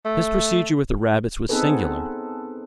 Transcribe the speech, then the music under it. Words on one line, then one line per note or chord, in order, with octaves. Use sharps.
His procedure with the rabbits was singular.
A3
B3 C4 D#4 G#4 A4 B4